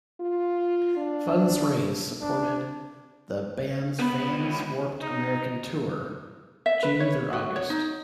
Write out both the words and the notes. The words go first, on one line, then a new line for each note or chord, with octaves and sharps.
Funds raised supported the bands Vans Warped American tour, June through August.
F4
D4
D4
C#2 B3 B5
D#4
E5
B4
C#5
F#4
C#5
D#4